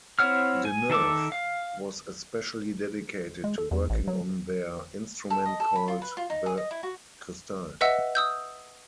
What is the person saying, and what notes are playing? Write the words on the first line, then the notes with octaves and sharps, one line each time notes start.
Deneuve was especially dedicated to working on their instrument called the "Cristal".
C4 E4 C#5 F#5 F6
G#5
D#3 A4 E5 D6
F5
G#3
A4
E2
A1
F#3
A4
D#5
A4
B5
F4
B4
F4
D#4
G#4
D#5
E4
F#4
B4 D#5 E5 F#5 E6
D#6 E6 G6